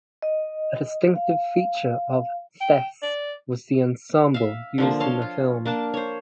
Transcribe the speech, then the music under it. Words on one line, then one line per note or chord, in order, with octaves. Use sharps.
A distinctive feature of "Thes" was the ensemble used in the film.
D#5
F5
G5
D5
E5 F5
D3 F3 A#3
C#5 F5 A5 C6
F4
A#3 D4 A5
C5 C#5